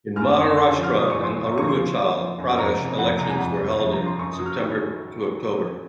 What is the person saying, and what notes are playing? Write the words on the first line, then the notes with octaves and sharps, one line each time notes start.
In Maharashtra and Arunachal Pradesh elections were held September-October.
F#2 F6
D#6
F#2
C#6
F#2 C6
C6
F3
F6
A#2 D#6
C#6
F3
C6
A#2
C#6
F3 C#6
C6
F3
F3
F3
F#2
F2 A#5
C3
F2 F#5
C3 A#5
G#5
F2 F#5
F2
F2
A#5
F3
C6
F#2 C#6
D#6
F#3
F6
D#3